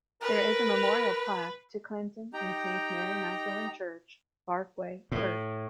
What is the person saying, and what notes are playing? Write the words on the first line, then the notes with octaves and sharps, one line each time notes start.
There is a memorial plaque to Clinton in Saint Mary Magdalene Church, Barkway, Herts.
A#4 B4
D#4 G4 G5 A#5
A2